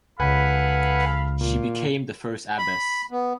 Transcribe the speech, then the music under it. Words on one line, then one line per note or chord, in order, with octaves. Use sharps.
She became the first abbess.
C#2 A4 B4 F5 F#5 G#5 B5
A#2
B5
B3